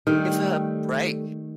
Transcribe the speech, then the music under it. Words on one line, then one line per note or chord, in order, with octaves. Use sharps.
Give her a break!
D#3 G3 A3